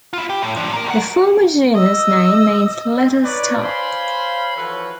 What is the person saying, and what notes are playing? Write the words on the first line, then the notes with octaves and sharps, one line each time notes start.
The former genus name means "little star".
E4 F4
G4
A2
F3 D4
A#3 A#4
D2 F#5
D#5 E6
D#4 B4 C#5 D5
C5 C#5 F5 G#5 B5 C6
E3 F3 F#4 A4 B4 C#5